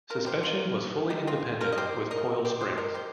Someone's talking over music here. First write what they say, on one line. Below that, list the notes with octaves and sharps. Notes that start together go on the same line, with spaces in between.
Suspension was fully independent with coil springs.
F4 A#4
G4 C5
F4 A#4
D#4 G4
C4 F4
F4 A#4
D#5
G4 C5
A#4 D#5
G4 C5
G4 C5
A#4 D#5
G4 C5